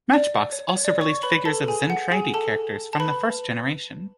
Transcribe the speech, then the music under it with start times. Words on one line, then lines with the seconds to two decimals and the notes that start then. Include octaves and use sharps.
Matchbox also released figures of Zentraedi characters from the first generation.
0.14 D5
0.52 C#5
0.69 C#5
0.85 D5
1.01 C#5 C#6
1.23 B4 B5
1.45 A4 A5
1.68 G#4 G#5
1.90 F#5
2.12 G#4 G#5
2.34 A4 A5
2.93 A5
3.00 B4 B5